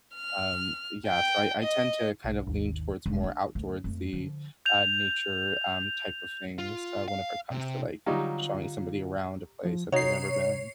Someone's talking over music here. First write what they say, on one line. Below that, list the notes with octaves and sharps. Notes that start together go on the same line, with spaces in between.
Um, yeah, so I I tend to kind of lean towards more outdoorsy, uh, nature, um, type of things, uh, whenever it comes to, like, showing somebody around a place that they've never been.
F6
G5
D#5
B1
G#1 D#2 D#3
E1
D4
D2
F2 A3
D3 F3
G6 F7
F4
F5
C3
D3 F#3 G3 D#4 F4 F5
F3
C3 D#4 F#4 C#5 C7